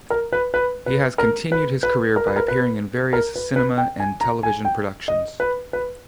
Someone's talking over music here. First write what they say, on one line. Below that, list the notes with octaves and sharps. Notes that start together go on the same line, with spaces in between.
He has continued his career by appearing in various cinema and television productions.
A#4
B4
B4
B4
A#4
B4
B4
A#4
B4
A#4
B4
A#4
B4
B4
G5
G#5
A#5
G#5
G5
D#5
B4
B4